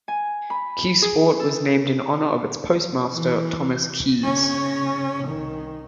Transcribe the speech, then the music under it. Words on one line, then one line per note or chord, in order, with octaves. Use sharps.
Keyesport was named in honor of its postmaster, Thomas Keyes.
G#5
B5
G#4
A4
E3
C#3 C#4
C2 D#3